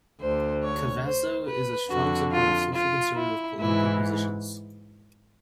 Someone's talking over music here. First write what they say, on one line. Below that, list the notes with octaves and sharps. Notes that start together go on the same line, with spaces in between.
Cavasso is a strong supporter of social conservative political positions.
D2 D3 C5
C#5
C5
B4
F2 D3 F#4
F4
F4
E4
G#2 E3 E4